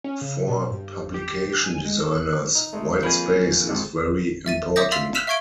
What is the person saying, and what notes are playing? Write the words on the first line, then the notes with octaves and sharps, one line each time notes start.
For publication designers, white space is very important.
C#4
C#3
B2
G2
G4
G4
G#5
G#3
A4
F#6
D#4
G#3 A3
F2 F3 A#3 G#4 B5 G6 G#6
G#1 G#3 A4
E5 A6 D#7
D5 E5 D6 D#6 G6 A#6
F5 C6 E6 A6 B6 F7
E6 F6 B6 E7
E5 F5 C#6 G#6 D7 G7